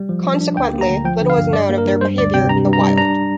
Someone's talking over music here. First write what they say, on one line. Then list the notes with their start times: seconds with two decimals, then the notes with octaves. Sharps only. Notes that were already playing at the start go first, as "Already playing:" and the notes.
Consequently, little is known of their behaviour in the wild.
Already playing: G3
0.09 F3
0.25 F3
0.40 D4
0.57 D2 G5
0.73 A#3
0.81 A#5
0.89 D2
1.05 F3 G5
1.21 D3
1.30 F5
1.37 G2
1.53 G2 D5
1.69 A#3
1.78 A#4
1.85 G2
2.01 G3 C5
2.18 D2 D5
2.34 C3 G5
2.49 G2 A#5
2.65 G2
2.73 A#5
2.82 G3
2.98 D4 A#5